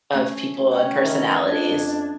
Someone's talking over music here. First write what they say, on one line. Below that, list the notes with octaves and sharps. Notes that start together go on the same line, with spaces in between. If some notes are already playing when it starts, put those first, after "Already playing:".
of people and personalities.
A3 C#4 G#5
C#4 F#5 G5 G6
D#3 A4 B4 E5 D#6 F6
F2 D4 D#5 G#6